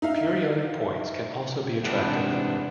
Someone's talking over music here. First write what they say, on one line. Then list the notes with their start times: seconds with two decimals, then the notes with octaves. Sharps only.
Periodic points can also be attractive.
0.02 D#4 E5 F5
1.84 E2 G#2 C3 B3 D4 E4